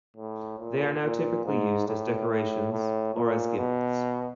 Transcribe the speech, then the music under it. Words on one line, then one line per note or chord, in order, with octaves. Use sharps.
They are now typically used as decorations, or as gifts.
A2
A#2
A#2
G#2
A2
A2
A2
A#2
B2